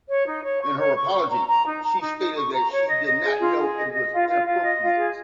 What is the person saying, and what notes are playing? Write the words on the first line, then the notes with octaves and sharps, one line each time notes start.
In her apology she stated that she did not know it was inappropriate.
C#5
D#4
C#5
C#6
C#5
C#6
C#6
A#5
A#5
D#4
A#5
D#4
D#4
C#6
A#5
C#5
D#5
D#5
G#4
F4
G#4
D#5
D#5
F4
F4
F4
D#5
F4
G#4